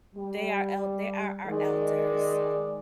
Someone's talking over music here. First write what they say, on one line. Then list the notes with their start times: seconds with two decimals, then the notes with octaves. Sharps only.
they are el they are our elders,
0.15 G3
1.46 D#3 G#3 D5